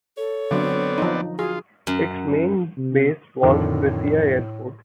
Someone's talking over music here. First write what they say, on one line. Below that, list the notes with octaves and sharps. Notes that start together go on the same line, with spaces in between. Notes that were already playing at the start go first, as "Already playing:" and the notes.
Its main base was Brescia Airport.
A4 C#5
D3 F#3 B3 C4 D5
F3 D#4
F4 F#4 G#4
F#2
C3
F2 A2 D3 D#3